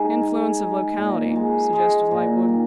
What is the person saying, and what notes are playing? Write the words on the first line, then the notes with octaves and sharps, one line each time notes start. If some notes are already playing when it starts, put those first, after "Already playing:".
'Influence of locality,' suggested Lightwood.
Already playing: G#3 D#4
G#4
D#4
A#2
G#3
G#3
A#2
D#3